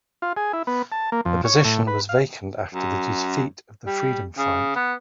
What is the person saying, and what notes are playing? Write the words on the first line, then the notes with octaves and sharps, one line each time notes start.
The position was vacant after the defeat of the freedom fight.
F4
G#4
E4
B3
A5
A#3
F2
C#5
A2
B4
F5
F#2
G3
C#3
B3